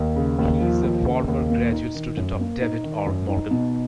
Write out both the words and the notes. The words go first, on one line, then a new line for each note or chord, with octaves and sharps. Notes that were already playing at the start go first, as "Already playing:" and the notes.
He is a former graduate student of David R. Morgan.
Already playing: D#2
C#3
D#2
F3
D#2
C#3
D#2
A#3
D#4
D#3
F#2
A#3
D#4
D#3
F#2
D#4
B2